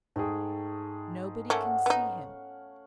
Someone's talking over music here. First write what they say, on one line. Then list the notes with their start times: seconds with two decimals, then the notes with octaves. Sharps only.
Nobody can see him.
0.16 G#2 A3 G#4 G5
1.50 A3 A#3 C#4 F5 F#5
1.86 B3 C#4 D#4